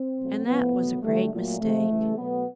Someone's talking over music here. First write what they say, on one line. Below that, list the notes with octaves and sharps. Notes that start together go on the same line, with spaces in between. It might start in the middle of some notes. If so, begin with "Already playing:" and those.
And that was a great mistake.
Already playing: C4
B2 F#3 A3
A2 F3 A3 B3
B2 F#3 A3
D3 G3 A3
A#2 F#3 A3
C3 F3 G#3 A3
C#3 E3 G3
B2 F#3 A3 B3